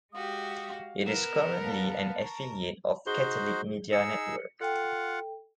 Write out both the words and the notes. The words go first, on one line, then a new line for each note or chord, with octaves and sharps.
It is currently an affiliate of Catholic Media Network.
G#3 F#4 G4 F5 D#6
B3 A#4 E7
F5 A5
A#4 C#6
D#4 F#4 G#4 C5 G7
D#4 G#4 E6 C#7
F4 A4 F#5 G5